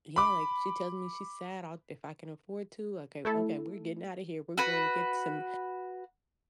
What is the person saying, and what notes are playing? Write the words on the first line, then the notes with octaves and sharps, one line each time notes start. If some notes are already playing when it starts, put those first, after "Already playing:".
Yeah like, if she tells me she's sad, I'll if I can afford to, like, I "Okay, okay, we're getting outta here. We're going to get some
B5 D6
A3 E4 A4
F#4 B4